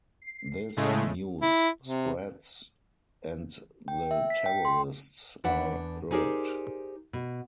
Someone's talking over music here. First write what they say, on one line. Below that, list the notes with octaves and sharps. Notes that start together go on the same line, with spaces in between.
This news spreads, and the terrorists are irked.
C7
A2 C#3 G#3 A3
E4
C3
G5
E5
B6
G5
C6
E2 D4 B4 F#5
D#4 G4 G#4 A#4 C5 D5
B2